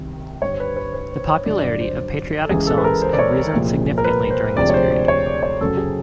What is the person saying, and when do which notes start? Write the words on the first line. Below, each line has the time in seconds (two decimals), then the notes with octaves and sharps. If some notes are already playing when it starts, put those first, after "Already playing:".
The popularity of patriotic songs had risen significantly during this period.
Already playing: C2 C3 D#3
0.42 G2 D3 G3 C#5
0.52 C5
0.60 B4
0.77 B4
0.94 B4
1.11 C5
1.29 C#5
1.46 G2 D3 F#3 D5
1.64 D5
1.81 C5
2.43 A4
2.49 C#2 C#3 E3 G#3 G#4
2.67 A4
2.78 B4
2.84 A#4
3.02 C5
3.13 D5
3.19 C#5
3.53 C2 A#2 F3 G#3
3.98 A#4
4.05 B4
4.30 C5
4.56 D2 C3 F3 G#3 D5
4.69 C#5
4.74 C5
4.91 D5
5.08 C#5
5.26 D5
5.43 C#5
5.61 F#2 C#3 F#3 A4
5.77 G#4